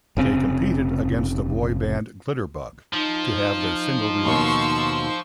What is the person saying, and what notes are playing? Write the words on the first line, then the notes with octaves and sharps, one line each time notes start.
They competed against the boy band Glitterbug, to have their single released.
F1 C#3 C4
F3 D#4
D#2 B2 C6 C#6 E6